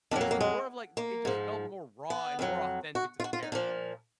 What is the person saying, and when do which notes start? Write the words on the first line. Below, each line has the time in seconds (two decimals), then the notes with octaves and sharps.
just more of, like l it just felt more raw and more authentic to the character, in my opinion.
0.11 F2 D#3 D4
0.16 F#3
0.21 A#3
0.31 A#3
0.41 G#3
0.97 A#3
1.25 G#2 F3
2.10 B3
2.39 F2 D#3 F#3
2.95 F#4
3.20 F4
3.24 F#4
3.33 F4
3.43 D#4
3.52 A#2 F3 D4